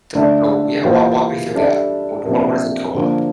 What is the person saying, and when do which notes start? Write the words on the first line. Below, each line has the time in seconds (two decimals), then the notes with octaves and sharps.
T so, yeah, walk walk me through that. What what what is a co-op?
0.15 D3 A3 D4 A4 E5
0.84 E3 G3 A#3 F4 C5
1.55 G3 D4 A4 E5
2.24 C3 F3 A#3 D4
2.95 D3 F3 A#3